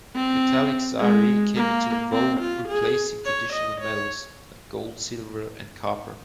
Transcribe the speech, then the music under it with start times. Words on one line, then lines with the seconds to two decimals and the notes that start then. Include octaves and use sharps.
Metallic zari came into vogue replacing traditional metals like gold, silver and copper.
0.15 C4
0.99 G#3
1.56 A#3
2.12 C4
2.40 F4
2.68 G#4
3.25 C#5
3.53 D#5
3.80 C#5